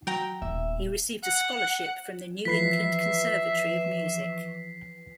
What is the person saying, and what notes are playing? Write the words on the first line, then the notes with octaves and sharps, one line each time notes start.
He received a scholarship from the New England Conservatory of Music.
F#3 G5 A#5
D#1 B3 E5
F#5
E3 F3 B4 E5 B6 C7